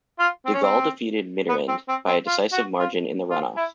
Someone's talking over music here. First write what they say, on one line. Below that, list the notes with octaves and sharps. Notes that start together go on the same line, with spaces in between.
De Gaulle defeated Mitterrand by a decisive margin in the runoff.
F4
C4
C#4
C4
B3
C4
C4
C4
F4
F#4
F4
F4
E4